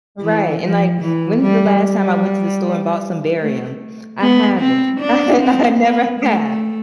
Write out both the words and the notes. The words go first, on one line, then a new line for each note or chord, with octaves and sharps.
Right, and like, when's the last time I went to the store and bought some barium? I haven't. I I never have.
E3
F3
E3
G3
G3
A3
B3
C4
D4
C4
B3
A3